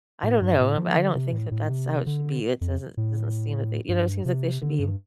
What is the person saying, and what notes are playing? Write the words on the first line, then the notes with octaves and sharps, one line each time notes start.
I don't know, I'm I don't think that that's how it should be. It doesn't doesn't seem that they you know, seems like they should be
A2
G2
A2
F3
D3
C3
A2
A2
C3
D3
F2
A2
G2
C3
D3
G2